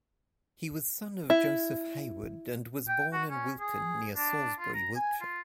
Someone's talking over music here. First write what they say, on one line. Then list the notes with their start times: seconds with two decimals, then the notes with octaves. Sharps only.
He was son of Joseph Hayward, and was born in Wilton, near Salisbury, Wiltshire.
1.30 E4
2.88 G5
3.12 F#4
3.30 C#4
3.60 G#4
4.16 D4
4.59 F4
4.74 A#5
4.95 G#5
5.21 F4